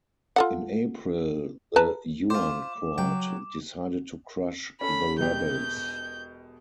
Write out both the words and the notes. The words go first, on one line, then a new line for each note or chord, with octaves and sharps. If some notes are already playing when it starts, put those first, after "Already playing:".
In April, the Yuan court decided to crush the rebels.
F4 A4 F#5
B4 A5 A#5
F4 C5 D6
F#3 G5
C#4 A4 B5
E1 B2 G4 G6